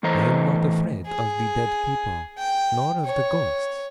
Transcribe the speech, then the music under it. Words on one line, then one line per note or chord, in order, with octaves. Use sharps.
I am not afraid of the dead people, nor of the ghosts.
A2 E3 A3 C5 D#5 A#5
G#4
G5
C#5